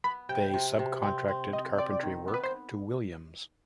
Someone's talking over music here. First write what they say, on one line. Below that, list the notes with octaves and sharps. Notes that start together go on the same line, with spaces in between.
They sub-contracted carpentry work to Williams.
B3 B5
C3 G5
C3
C3
C4
C4
C4 D#5
C4 D5
D#3
B3
B4
C5